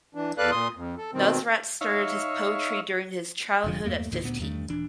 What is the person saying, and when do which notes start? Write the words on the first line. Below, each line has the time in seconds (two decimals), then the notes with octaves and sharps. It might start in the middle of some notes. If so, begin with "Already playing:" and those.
Nusrat started his poetry during his childhood at fifteen.
0.15 E3 D4
0.38 E2 A4 B4 D5 F5 F#6
0.51 A#2 C6 D#6
0.75 F2
0.98 A4
1.13 B2 D#3 C4
1.81 D#4 C#5 E5 F5
3.64 F1 D3 F3
3.84 E2 G2 A3 A#3
4.10 A1 F2 A#2 D#3
4.23 D2 A#2 B3
4.40 E2 G2 D#3 A3
4.69 D#1 E3 D4